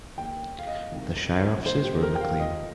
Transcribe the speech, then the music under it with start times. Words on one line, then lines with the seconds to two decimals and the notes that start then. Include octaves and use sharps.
The shire offices were in Maclean.
0.18 D#2 D#3 G5
0.59 F5
0.67 D#5
0.92 C2 C3 D#3
1.66 D#2 D#3 C5
1.84 G4
2.03 A#4
2.15 G5
2.21 F5
2.39 F1 F2 F3 D#5